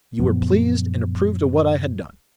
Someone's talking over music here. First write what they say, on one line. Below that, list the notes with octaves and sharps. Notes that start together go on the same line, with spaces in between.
You were pleased and approved of what I had done.
F#2 A#2 F3 B3